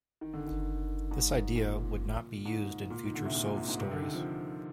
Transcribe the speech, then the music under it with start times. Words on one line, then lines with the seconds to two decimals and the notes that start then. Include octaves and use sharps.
This idea would not be used in future Sov stories.
0.21 D#3
0.33 D3
0.46 D#3
1.11 G#2
1.56 A#2
2.45 G#2
2.90 A#2
3.05 D#3
3.15 D3
3.25 C3
3.35 A#2
3.46 A#2
3.57 G#2
3.69 G#2
3.79 C3
3.91 D3
4.02 D#3
4.14 F3